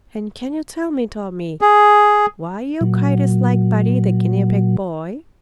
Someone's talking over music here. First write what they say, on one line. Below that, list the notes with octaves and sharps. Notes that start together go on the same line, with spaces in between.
"And can you tell me, Tommie, why your kite is like Buddy, the guinea pig boy?"
G#4
A#2 F#3